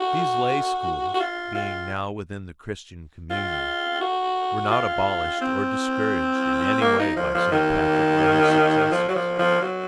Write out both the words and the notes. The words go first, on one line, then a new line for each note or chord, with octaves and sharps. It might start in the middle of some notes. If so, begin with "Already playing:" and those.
These lay schools, being now within the Christian communion, were not abolished or discouraged in any way by St. Patrick or his successors.
Already playing: F#4
F#4
F4
F4
F4
F#4
F4
C4
A#3
D#4
F3
F3
D#3
F3
F#3
F3
F3
F#3